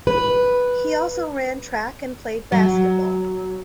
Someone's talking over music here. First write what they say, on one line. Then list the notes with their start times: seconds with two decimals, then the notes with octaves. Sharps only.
He also ran track and played basketball.
0.07 B4
2.52 F#3